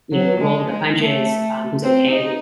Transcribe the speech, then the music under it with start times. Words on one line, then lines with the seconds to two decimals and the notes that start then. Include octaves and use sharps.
you know, roll with the punches, um, who's okay with,
0.13 F#3
0.40 G#3
0.69 G#3
0.97 A3
1.83 C4
2.11 D#4